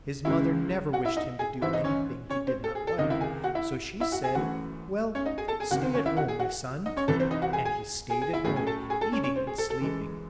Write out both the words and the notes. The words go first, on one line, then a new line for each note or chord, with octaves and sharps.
His mother never wished him to do anything he did not like, so she said: 'Well, stay at home, my son.' And he stayed at home, eating and sleeping.
C#2 C#3 G#3 C#4 E4 E5
F#4 F#5
E4 E5
D#4 D#5
G#4 G#5
G#2 E3 C4 E4 E5
D#4 D#5
C#4 C#5
C#4 C#5
C4 C5
A4
G#4
A4
C#2 C3 D#3 D#4 D#5
E4 E5
G#4 G#5
F#4 F#5
E4 E5
E4 E5
F#4 F#5
G#4 G#5
F#2 E3 A3 C#4 F#4 F#5
C#4 C#5
D#4 D#5
G#4 G#5
A4 A5
G#4 G#5
C#2 C3 D#3 F#4 F#5
C4 C5
C#4 C#5
E4 E5
F#4 F#5
G#4 G#5
F#4 F#5
D#4 D#5
C#4 C#5
C2 C3 E3 A4
C4 C5
D#4 D#5
F#4 F#5
G#4 G#5
G#4 G#5
G#4 G#5
G#4 G#5
E4 E5
A2 F#3 A3 C#4 G#4 G#5
G#4 G#5
A4 A5
G#4 G#5
A4 A5
C#4 C#5
C#4 C#5
C4 C5
G#4
A4
A4
F#2 E3 G#3